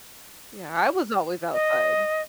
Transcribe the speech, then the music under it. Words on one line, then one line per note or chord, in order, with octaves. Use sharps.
Yeah, I was always outside.
D#5